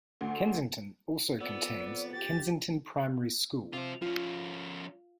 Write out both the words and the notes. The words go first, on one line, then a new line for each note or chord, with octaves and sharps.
Kensington also contains Kensington Primary School.
D2
F2 B3 D5 E6
G4 A6
C3 F4 C5
F3 C#4 F4